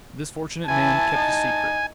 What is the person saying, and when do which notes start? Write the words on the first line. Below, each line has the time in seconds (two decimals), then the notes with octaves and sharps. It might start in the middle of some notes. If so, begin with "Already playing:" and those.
This fortunate man kept his secret.
0.68 E3 G#5 A5
1.14 D#4